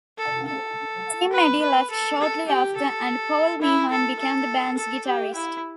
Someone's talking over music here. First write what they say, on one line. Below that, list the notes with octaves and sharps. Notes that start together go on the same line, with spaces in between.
Tim Edey left shortly after, and Paul Meehan became the band's guitarist.
A4
A4
B4
B4
A4
A4
G4
A4
E4
A4
A4
A4
G4
E4